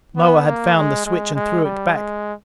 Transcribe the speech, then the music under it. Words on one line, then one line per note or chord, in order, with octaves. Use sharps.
Moa had found the switch and threw it back.
B3
A#3
G#3
G#3
G#3
G3
G#3